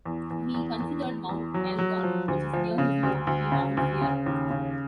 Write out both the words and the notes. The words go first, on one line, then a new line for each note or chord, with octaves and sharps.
He considered Mount Elgon which is near his home to be Mount Zion.
E2
E2
E2
E2
E2
E2
F#3
F#3
F3
D2
F3
C#3
D2
D2
C#3
D2
C#3
D#2
C#3